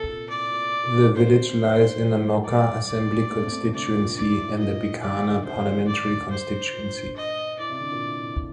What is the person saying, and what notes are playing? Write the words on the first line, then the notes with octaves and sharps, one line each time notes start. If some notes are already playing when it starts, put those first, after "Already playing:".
The village lies in the Nokha assembly constituency and the Bikaner parliamentary constituency.
Already playing: C3 A4
A#2
A2 D5
A#2
A#2
D3
C4
C4 C5
C4
D#4
D#4
F3
G3
D5
D5
A3
C4
C4
D3
C3 D5
A#2
G2 D5
A2
A#2 D#5
A2
D#3 D5
D3
C3 C5
F3
D#3
D3 D5
C5
A#2
G2
D#5
A2 D5
C3
D3
A#2
A2
A2